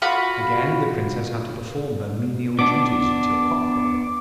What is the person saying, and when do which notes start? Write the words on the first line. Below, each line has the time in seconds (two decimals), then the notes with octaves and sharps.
Again the Princess had to perform her menial duties till cock-crow.
0.02 F4 F#4 B5
2.59 B3 D4 D6